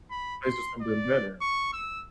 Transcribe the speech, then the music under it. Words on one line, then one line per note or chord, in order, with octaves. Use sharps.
replaced with something better
B5
C6
D5
C#6
E6